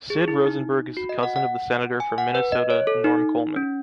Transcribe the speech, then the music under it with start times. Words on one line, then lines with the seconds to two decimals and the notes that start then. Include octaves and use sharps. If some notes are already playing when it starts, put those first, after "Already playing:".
Sid Rosenberg is the cousin of the senator from Minnesota Norm Coleman.
0.10 G#4
0.28 E4
0.45 D#4
0.97 F#4
1.09 D#5
1.23 F#5
1.36 F#5
2.00 G#5
2.18 F#5
2.35 B4
2.52 D#5
2.70 C#5
2.87 A4
3.04 D#4
3.56 C#4